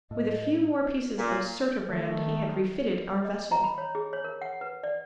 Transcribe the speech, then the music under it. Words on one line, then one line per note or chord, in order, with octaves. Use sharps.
With a few more pieces of surturbrand he had refitted our vessel.
A2 D#5
A#2
D#3 A3
D#5
A#5
B5
C#5
G#4
C#5
A#4
F#5
B4
D5